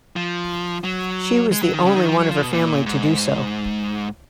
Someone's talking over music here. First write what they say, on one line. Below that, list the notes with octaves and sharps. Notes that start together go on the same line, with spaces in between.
She was the only one of her family to do so.
F3
F#3
G#3
F#3
D#3
C#3
D#3
F3
F#3
F3
B2
A#2
G#2